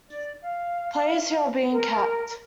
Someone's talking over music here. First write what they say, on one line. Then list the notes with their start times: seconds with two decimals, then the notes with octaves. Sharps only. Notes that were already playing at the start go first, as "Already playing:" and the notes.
"Players who have been capped".
0.07 D5
0.43 F5
1.71 A#4